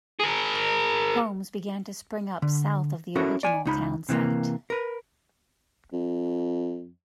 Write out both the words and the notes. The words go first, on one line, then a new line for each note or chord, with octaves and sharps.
Homes began to spring up south of the original townsite.
G#4 A#4
D3
C#4 E4 F#4 A4 A#4
D5 G#5
C#2 D#4 B5
C3 E3 G#3 A#3
A#4 B4
F2